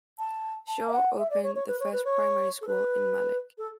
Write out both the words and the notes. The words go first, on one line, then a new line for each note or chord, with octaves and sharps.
Shaw opened the first primary school in Malek.
A5
A5
E5
F#5
E5
D5
C#5
C#5
B4
C#5
B4
C#5
A4
B4
A4